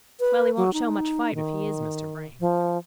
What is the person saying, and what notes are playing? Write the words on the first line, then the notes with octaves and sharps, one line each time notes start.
"Well, he won't show much fight if he is Mr. Vrain."
B4
F#3
D#4
D#3
F3